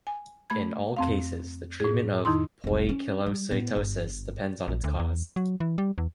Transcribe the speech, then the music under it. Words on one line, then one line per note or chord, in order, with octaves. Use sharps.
In all cases, the treatment of poikilocytosis depends on its cause.
G#5
A3 B5 G#6
F2 C4 F5
A2 G#4
F2 D#3 D#4 E4 C6
F1 C2
C#4
G3
A2 B3
G1 G2
A#1
D2
E2
F#3
E3
G3
E2